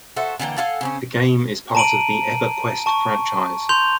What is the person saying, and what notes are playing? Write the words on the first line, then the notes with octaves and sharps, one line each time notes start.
The game is part of the "EverQuest" franchise.
F#4 A4 C5 E5
D3 E3 A#3 G5
A4 F5 F#5 G#5
C#3 C4 C#4
A5 A#5 D7 D#7 F#7
A5 C#6
C6 G6 F7